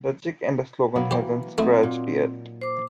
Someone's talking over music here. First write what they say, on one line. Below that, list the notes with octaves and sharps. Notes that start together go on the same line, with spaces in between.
The chick and slogan Hasn't Scratched Yet!
F#3 A#3 B3
E3 G4 C5
F#3 A3 C4 D#4 E4
A#2
C5 D6